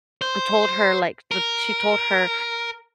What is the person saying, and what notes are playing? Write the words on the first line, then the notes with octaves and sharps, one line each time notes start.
uh, told her, like, that she told her,
C5
A#4